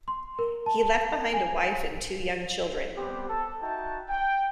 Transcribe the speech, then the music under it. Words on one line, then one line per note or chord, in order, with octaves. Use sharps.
He left behind a wife and two young children.
C6
A#4
A5
G#5
G3 B3 C4 G4
A4
D#4 F#4 E5 G5 A5
G5